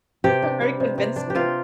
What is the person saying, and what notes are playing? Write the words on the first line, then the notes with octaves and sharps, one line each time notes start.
You're very convincing.
C3 G4
D4
G3
C3
C3
D4
G4
C3 F4